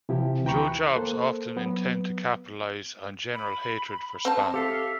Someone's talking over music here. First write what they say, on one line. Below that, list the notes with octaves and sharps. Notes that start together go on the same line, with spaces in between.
Joe jobs often intend to capitalize on general hatred for spam.
C3 E3 F3 E4 G4
D2 E3 G5 A#5 B5 C#6
F#6
A#3 A4 C5
F#3 B3
B5
C4 C5 A5
G4 A4 E5 F5